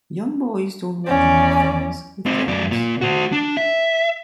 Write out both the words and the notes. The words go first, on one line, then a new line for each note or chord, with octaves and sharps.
Young boys don't want to do things with girls.
E2 C#4 D5
C4 D#4
F#2 D5
A#2 A#3
F#4 C5
D4
E5